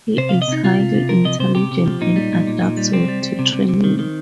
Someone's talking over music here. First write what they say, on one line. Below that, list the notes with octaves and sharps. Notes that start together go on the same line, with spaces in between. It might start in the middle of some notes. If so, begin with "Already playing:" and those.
He is highly intelligent and adapts well to training.
C3 C5
C3 F5
D#5
C3 D#4
C3 F4
C3
C3
F3 A#4
C3 D#5
C3 C5
C3 G4
C3
F3
A#2 D#4
G3
A#2
A#2
A#2
G3
C3 C4
G3
G3
C3
C3
C3
D#3
D#3